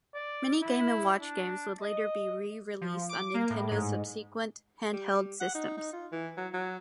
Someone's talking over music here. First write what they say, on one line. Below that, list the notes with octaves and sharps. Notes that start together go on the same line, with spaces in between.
Many Game and Watch games would later be re-released on Nintendo's subsequent handheld systems.
D5
E4
D4
D#5
F3
D6
A#3
A2
G#2
G3
G3
F#5
D#4
D#4
F4
E3
F#3
F#3